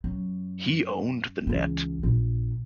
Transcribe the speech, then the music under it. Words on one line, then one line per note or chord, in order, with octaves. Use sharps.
He owned the 'net'.
F#2
C#2 E3
A#1